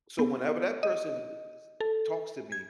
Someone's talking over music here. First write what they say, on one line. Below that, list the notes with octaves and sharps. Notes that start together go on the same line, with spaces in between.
so whenever that person i is talks to me,
B3
D#5
A4
G#6